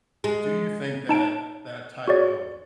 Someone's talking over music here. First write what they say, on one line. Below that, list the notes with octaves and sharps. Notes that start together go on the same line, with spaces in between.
do you think that that type of
G#3
D#4 A5 D7
F#4 G#4 C#5 D5